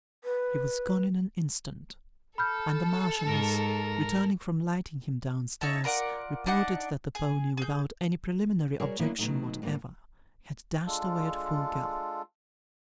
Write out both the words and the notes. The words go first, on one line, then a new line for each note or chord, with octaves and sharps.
He was gone in an instant; and the Marchioness, returning from lighting him down-stairs, reported that the pony, without any preliminary objection whatever, had dashed away at full gallop.
B4
A4 B5 F6 G6
G#2 A#4
D#4 C#5 E5 A5
F4 A#4 D5 F#5
D4 D#4 D5 F#5
G#4
G#4 G6
G3 F#4 G#4 A#4 C#5
D#3 F#3 A#3 B3 D4 E4
B2 D#3 F3 F#3 A3 D#4
G#2 G3 A#3 D4
G#3 D4 F4 A4